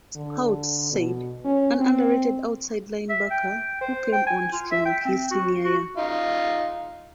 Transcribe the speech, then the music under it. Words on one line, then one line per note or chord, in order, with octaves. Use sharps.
Scouts said, An underrated outside linebacker who came on strong his senior year.
D3
B2
C#4
C4
E5
G5
C5
G5
G#5
F4
E5
G5
C4
F#4
F#4
D#4 F4